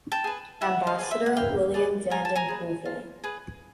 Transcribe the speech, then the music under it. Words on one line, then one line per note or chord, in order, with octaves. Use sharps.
Ambassador William vanden Heuvel.
G5 A5
G#4 B4
E4 E5 F#5
D#5 F5
G#4 B4 D5
E5
F#5
E4 F5 G5
G#4 B4 D5
F4 G#5 A#5
A5
G#5 A#5
G#4 B4
F4
G#4 B4